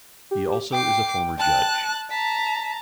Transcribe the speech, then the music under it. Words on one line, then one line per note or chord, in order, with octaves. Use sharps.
He also is a former judge.
G4
G5 D6 C7
A5 F#6
A5 A#5 B6